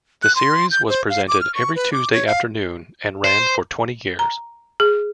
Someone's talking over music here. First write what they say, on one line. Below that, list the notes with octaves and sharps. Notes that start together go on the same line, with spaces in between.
The series was presented every Tuesday afternoon and ran for twenty years.
F#6
C6
G6
C5
F5
D6
F6
C#6
B4
D6
C#5
F5
C5
A#5
G#4